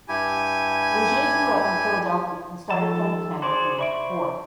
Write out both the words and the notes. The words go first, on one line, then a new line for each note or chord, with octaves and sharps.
Roget grew up in Philadelphia and starting playing piano at the age of four.
G2 E4 G4 G#5
D#3 F3 A4 A5
F#4 G#4 C5 D5 C6
D5 E5 B5 C#6 D7